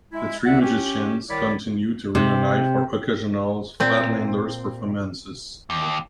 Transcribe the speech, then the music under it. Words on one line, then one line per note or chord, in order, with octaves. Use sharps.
The three musicians continued to reunite for occasional Flatlanders performances.
G#3 E4
C2 E5 F#5
C#4 G4
C2 D#3 C#5 D5 B5 D6
C3
A#2 C4
D#2